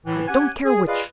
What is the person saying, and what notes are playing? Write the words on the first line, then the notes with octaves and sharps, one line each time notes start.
I don't care which.
A2 E3
C#4 G4 F#5 G#5
G#4
F4 G#4 B4 D5 D#5 F5